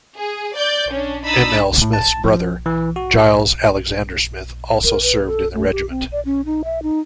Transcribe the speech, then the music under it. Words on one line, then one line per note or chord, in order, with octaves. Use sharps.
M. L. Smith's brother, Giles Alexander Smith, also served in the regiment.
G#4
D5 G6
C#4 D4
D4 D#4 B5 D#6 E6 A6
A2
A5
F3
E3
F#4
A#4
B4
A4
A3
G4
C4
D5
C#4
D#4
E5
D#4